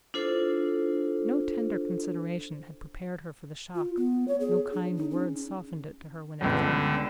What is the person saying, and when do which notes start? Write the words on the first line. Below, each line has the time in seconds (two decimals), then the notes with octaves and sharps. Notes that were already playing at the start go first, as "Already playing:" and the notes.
No tender consideration had prepared her for the shock, no kind word softened it to her when it came.
0.14 D4 E4 F4 A4 C5
3.75 F4
3.97 B3
4.28 C#5
4.40 G#4
4.73 D4
4.97 D#4
5.11 C#4
6.41 G1 C#2 D3